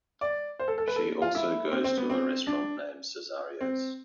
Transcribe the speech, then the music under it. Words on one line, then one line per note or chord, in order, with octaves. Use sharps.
She also goes to a restaurant named "Cesario's".
D5
C5
A4
A4
B4
A4
F4
E4
C4
C4
B3
C4
D4
C4